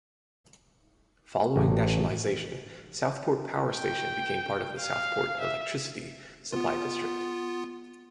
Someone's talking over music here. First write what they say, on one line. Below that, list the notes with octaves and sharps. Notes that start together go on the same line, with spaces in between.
Following nationalisation Southport power station became part of the Southport electricity supply district.
A1
G5
F5
E5
B3 F4